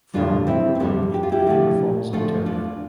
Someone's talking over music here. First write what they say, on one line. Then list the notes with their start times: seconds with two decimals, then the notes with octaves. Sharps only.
Frum grew up in Niagara Falls, Ontario.
0.14 F2 D3 G3 D4 F4
0.47 C4 E4
0.75 C4
0.80 F2 D3 G3 B3 D4
1.14 G4
1.23 F4
1.32 E4 G4
1.47 D2 D3 F3 A3
2.13 D2 D3 F3 A3 F4 A4
2.46 D4 F4